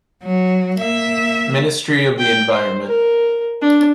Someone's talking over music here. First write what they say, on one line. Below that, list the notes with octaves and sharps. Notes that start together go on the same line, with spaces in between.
Ministry of the Environment.
F#3
A#3 E5
G5
C5
A#4
D4